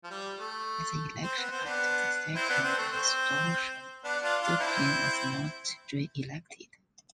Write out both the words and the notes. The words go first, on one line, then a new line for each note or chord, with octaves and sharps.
At the election after the second restoration Dupin was not reelected.
F3
G3
A3
C4
B3
C4
B3 D4
C4 E4
B3 D4
C4
A3
C4
B3 D4
D4 F4
D4 F4
C4 E4